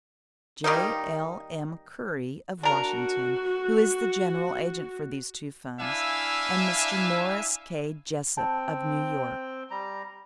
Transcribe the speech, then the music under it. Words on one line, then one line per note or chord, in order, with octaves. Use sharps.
J.L.M. Curry, of Washington, who is the general agent for these two funds, and Mr. Morris K. Jessup, of New York.
D#3 G3 A#3 D#4
D4 F#4 A#4
D4 E4 E5 F5 G#5
C4 G5 A5
G3 A#5